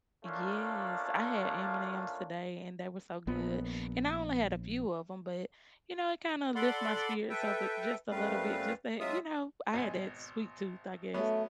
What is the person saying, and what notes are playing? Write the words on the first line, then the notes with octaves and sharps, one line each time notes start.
Yes. I had M&M's today, and they were so good and I only had a few of 'em, but, you know, it, kinda, lift my spirits up, a, just, a little bit, just, that, you know, I had that sweet tooth, I guess.
A3 A#3 C#4 D4 F4
A#1 B3
A4 D5 F#5 B5 C6 D6
A4 B4 E5 G5
F#2 G3 A3 C4 B4 F5
F#3 G#3 F4 E5 D#6
G#1 B2 G#5
F#3 A3 B3 C#4